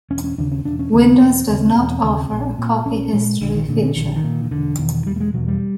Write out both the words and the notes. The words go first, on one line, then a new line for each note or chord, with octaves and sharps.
Windows does not offer a copy history feature.
E1 C#4
C#4
D#2 C#3 D4
C#4
E1 D4
C#4
D#2 C#3 C4
C4
C#4
E1 C4
D#2 C#3
E1
D#2 C#3
A#1
A#2
A#1 C#4
A#2 G#3
A#1 D3
D#3
A#2 D3
D3
A#1 D#3
D3
D#3
A#2
D#3
E1 D3
E2 B2 D#3
E1 G3
A3
G#3
E2 B2 F#3
G3